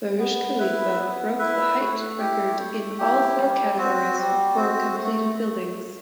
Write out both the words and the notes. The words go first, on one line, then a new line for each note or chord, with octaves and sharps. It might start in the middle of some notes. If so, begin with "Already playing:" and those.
Burj Khalifa broke the height record in all four categories for completed buildings.
B3
E4 B4 E5
B3
E4 B4 E5
A3
E4 G4
A3
E4 G4
G3
C4 F#4
G3
C4 F#4
A3